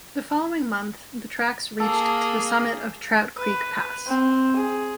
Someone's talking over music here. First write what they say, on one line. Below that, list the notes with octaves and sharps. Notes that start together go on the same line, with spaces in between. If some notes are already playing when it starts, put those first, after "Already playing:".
The following month, the tracks reached to the summit of Trout Creek Pass.
A#3 G#4 A4
B4
C4
G#4